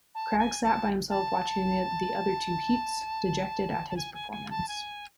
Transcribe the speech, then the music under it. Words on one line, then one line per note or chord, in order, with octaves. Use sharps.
Cragg sat by himself watching the other two heats, dejected at his performance.
A5
G#5
A5
A5
A5
G#5
G#5
G#5
A5
G#5